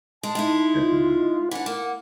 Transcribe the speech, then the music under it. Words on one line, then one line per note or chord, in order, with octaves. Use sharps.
definitely not.
G#3 A5
G#3 D#4 E4
F4
E3 D4 F#5
A#3